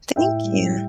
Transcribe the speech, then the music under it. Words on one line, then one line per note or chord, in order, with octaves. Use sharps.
Thank you.
A2 E5 G5
G3